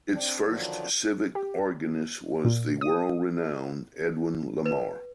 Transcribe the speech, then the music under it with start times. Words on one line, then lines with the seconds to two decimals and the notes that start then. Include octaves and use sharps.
Its first Civic Organist was the world-renowned Edwin Lemare.
0.12 C4 D4
0.49 D3 D#3 F3 F#3 D4
1.35 G4
2.45 A#2
2.81 D#6
4.66 B4